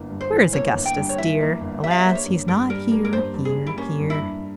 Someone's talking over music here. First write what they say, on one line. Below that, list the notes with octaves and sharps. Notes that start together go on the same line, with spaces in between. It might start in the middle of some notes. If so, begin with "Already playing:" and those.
'Where is Augustus dear? Alas! he's not here, here, here.'
Already playing: G1 E3 A#3
G2
C5
E3
A#3 C#5
G1
G5
G2
C#5
E3 E5
A#3
G1
G3 E5
F5
E5
A#3 C5
C#5
G2
G2 A#4
G3 A#4
A#3
A#4
G2 C5
G2
G#4
G3
E4
A#3 C#4
G2
E4
G2